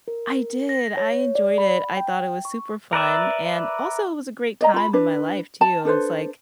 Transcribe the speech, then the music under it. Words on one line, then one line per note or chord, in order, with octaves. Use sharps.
I did, I enjoyed it, I thought it was super fun, and also it was a great time in my life too, and it's like,
A#4
A#6
C#5
D5
B5
G5
C#6
A#4 B4 D5 E5
D5 D#5 A#5
F4 B5
D4 B4
A5
D4 A4 B4 C5